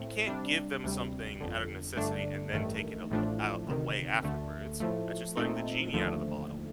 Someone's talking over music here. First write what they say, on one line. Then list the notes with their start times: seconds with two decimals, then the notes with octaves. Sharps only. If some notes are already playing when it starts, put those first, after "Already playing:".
you can't give them something out of necessity and then take it al a away afterwards. That's just letting the genie out of the bottle.
Already playing: A2 A3 C4
0.27 C3 G3 D4
0.84 D2 C3 G3
1.41 G1 F2 D3
1.96 G1 G2 D3 A3 D4
2.53 A1 G2 D#3 A3
3.10 A1 A2 F3 A3 D4
3.67 D2 C3 D#3
4.23 D2 D3 A3
4.80 A2 F3 A3
5.37 A#2 A3 C4 D#4 A4
5.93 D#2 D3 F3 A3